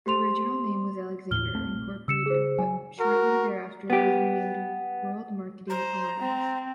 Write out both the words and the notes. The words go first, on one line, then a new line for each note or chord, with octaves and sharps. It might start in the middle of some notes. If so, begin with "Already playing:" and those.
The original name was Alexander, Incorporated but shortly thereafter was renamed World Marketing Alliance.
G4 C5 C6 F7
D#2 A2 F6 G7
A#1 A3 C4
C#3 E6 C#7 E7
G#4 C5
F#3 G#5
F#4 A#4
B3 G4
C5 A#5
C4